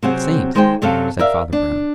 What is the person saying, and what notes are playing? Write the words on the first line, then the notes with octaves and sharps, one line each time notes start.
"A saint," said Father Brown.
C3 F#3 C4 G#4 F#5
D#3 G#3 C5 D#5 F#5 G5
F#2 C3 F#3 A4 F5
A#4 D5 E5 F5
D4